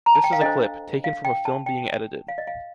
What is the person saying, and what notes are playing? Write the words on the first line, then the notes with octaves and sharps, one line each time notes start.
This is a clip, taken from a film being edited.
A#5
A5
G5
F5
D4 A4 C5 D#5
F5
G5
A5
G5
F5
D#5
F5